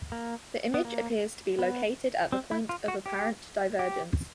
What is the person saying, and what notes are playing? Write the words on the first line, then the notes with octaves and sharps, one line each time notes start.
The image appears to be located at the point of apparent divergence.
A#3
B3
A#3
B3
C4
E4
F4
F#4
G4
G4